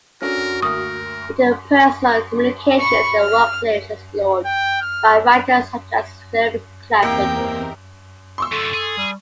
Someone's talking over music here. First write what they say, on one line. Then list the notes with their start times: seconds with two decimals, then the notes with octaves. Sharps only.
Interpersonal communications in the workplace are explored by writers such as Phillip Clampitt.
0.22 C#4 D4 F#4 A4 A#4
0.62 D2 A#3 A#4 C#6 D#6 F6
2.80 B5 C#6
3.20 F6
4.45 G5
4.81 F6
7.03 E2 A#3 C4 D#4 G4 A#4 E5 G5
8.38 C6 C#6 E6
8.52 F#2 D3 A4
8.74 G#4
8.97 G3